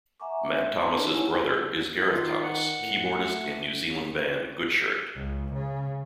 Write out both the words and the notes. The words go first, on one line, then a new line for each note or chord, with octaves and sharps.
Matt Thomas' brother is Gareth Thomas, keyboardist in New Zealand band Goodshirt.
E5 F#5 G#5 A#5 C#6 D6
G#3 C4 D4 B4 E5
C5 D#5 A5 A#5 C6
C#4 D#4 B4 C#5
E4 G4 F#5 G#5 B5 C#6
D#3 F4
F#5
A2
A3
C#2
C#3